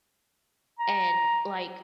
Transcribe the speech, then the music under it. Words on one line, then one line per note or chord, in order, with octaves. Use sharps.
and, like,
A#5